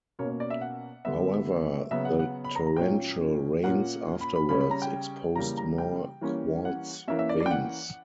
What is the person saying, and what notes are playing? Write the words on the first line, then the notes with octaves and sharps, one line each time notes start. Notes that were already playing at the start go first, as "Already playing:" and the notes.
However, the torrential rains afterwards exposed more quartz veins.
B2 A#3 C#4 C#5
C#5
D5
E5
F#5
D3 G3 B3 E5
C#3 F#3 B3 E5
F#5
F#5
B5
A#5
A#5
A#2 F#3 C#4 G5
A#2 A#3 C#4 F#5
B5
B5
C#3 G3 C#4 B5
B5
A#5
G5
C#3 E3 G3 A#3 A#5
A#5
G5
E3 G3 A#3 C#4
F#5
E3 A#3 C#4 E5
E5
D5
D5
G5
F#5